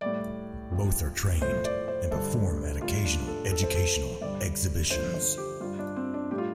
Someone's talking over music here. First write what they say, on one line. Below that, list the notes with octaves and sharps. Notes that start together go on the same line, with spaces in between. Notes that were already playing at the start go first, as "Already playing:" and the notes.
Both are trained, and perform at occasional educational exhibitions.
A2 G3 D5
F2 F3
A2 F3 C5
D5
C5
G2 D3 G3 A4
A2 G3 F4
D4
A4
F2 F3 A4
C5
A4
G2 D3 G3 D5
G2 D3 F3 C5
C5
G4
G2 G3 F4
D4
C4
D4
A2 G3 G4
F4